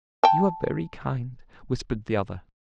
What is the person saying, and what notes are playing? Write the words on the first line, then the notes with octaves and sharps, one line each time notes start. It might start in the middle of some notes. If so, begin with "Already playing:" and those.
"You are very kind," whispered the other.
G5 A5